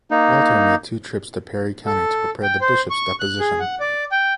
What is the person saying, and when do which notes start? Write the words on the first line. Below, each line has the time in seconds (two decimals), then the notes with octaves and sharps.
Walther made two trips to Perry County to prepare the Bishop's deposition.
0.11 A#3 D#4
1.86 A4
2.43 G5
2.61 C5
2.91 C#6
3.20 F#6
3.40 G#4
3.60 F#5
3.80 D5
4.12 G5